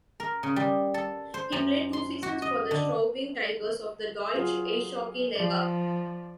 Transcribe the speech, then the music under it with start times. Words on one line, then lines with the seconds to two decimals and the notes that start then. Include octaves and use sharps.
He played two seasons for the Straubing Tigers of the Deutsche Eishockey Liga.
0.20 A#4
0.43 C#3
0.56 G3
0.94 A4
1.34 C5
1.52 F#2
1.93 C6
2.23 F#4
2.42 D#5
2.71 D3
4.35 F#3 F4 G#4
5.35 F3 D5